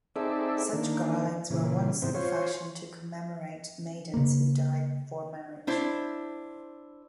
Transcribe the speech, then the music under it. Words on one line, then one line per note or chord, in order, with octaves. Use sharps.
Such garlands were once the fashion to commemorate maidens who died before marriage.
C4 D#4 G#4 A4 D5 E5
D#3 A#3 D4
A#2 C#3 E3
G#2 C3 E3 B3 C4
F4 C5 C#5
C#3 A#3
D4 E4 C5